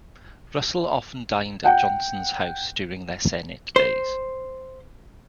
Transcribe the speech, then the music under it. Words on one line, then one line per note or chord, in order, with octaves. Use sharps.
Russell often dined at Johnson's house during their Senate days.
F#5 G5
C5